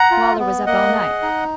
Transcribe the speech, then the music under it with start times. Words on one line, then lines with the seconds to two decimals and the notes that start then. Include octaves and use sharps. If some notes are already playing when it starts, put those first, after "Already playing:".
Waller was up all night.
Already playing: F#5 A#5
0.11 F4
0.39 B3
0.66 A#3 D#5 F#5
0.94 G#4
1.22 D#4